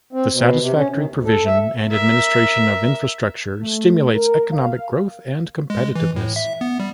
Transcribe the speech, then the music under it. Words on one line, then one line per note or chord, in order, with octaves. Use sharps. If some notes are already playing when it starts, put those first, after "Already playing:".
The satisfactory provision and administration of infrastructure stimulates economic growth and competitiveness.
C4
B2
C3
C#4
D#3
D2
A4
E5
A#4 E5
A3
A#4
F5
G#3
E3
A2
E5
B3
G3